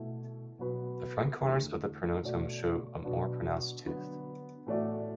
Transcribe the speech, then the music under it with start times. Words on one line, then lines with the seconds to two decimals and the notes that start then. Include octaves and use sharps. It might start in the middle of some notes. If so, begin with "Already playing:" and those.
The front corners of the pronotum show a more pronounced tooth.
Already playing: B2 A3 E4
0.59 B2 F#3 B3 F#4 B4
1.40 E2 D3 A3
2.22 B2 A3 F#4 D5
3.04 B2 F#3 B3 D4 F#4
3.85 D3 F#3 B3
4.66 A2 E3 A3 F#4 D5